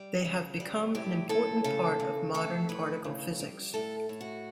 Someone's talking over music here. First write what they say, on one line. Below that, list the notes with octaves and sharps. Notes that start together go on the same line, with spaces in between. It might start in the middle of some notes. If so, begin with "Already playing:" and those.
They have become an important part of modern particle physics.
Already playing: G3
C#3
G3
A2 G4
A2 A4
C#3 A4
C#3
A2 A4
A2 B4
C#3
G3
A2 A4
A2
F#4